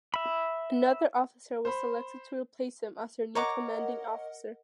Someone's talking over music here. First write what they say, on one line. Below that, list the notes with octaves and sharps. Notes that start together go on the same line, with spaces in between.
Another officer was selected to replace him as her new commanding officer.
E5 B5
C5 B5
A#4 C#5 D#5 F#5 A#5 D6